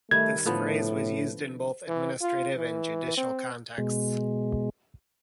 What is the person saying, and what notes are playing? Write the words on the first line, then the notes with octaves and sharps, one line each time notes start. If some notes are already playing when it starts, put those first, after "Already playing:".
This phrase was used in both administrative and judicial contexts.
D#3 G3 A3 G#6
A2 D3 F3 B3
E3
F4
E3
C4
B2 G#3